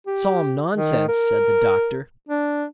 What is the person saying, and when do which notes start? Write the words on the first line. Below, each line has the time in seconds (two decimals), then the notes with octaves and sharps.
"Solemn nonsense," said the doctor.
0.07 G4
0.76 D#3
1.08 A#4
2.29 D4